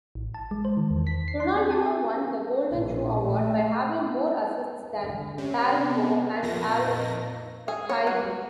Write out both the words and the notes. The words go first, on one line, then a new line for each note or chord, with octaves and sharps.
Ronaldinho won the Golden Shoe award by having more assists than Blanco and Al-Otaibi.
A1
A5
G#3
C5
D#3
E2
B6
C7
C6
C4
A5
E5
A#1
A3
D3
C3 C#4
B3
F2 A#2 A3 A#6
D#4
G#4
C#5
F#4